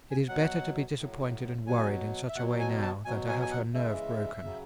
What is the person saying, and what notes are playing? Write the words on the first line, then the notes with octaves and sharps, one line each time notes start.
It is better to be disappointed and worried in such a way now than to have her nerve broken.
G#5
B2 F#3 F#5
A2 F#3
B2 F#3 G#5
E5
B2 F#3 F#5
G#5
A5
B2 F#3 G#5
G#5
G#5
F#5
C#3 E3 G#3 E5
C#3 F#3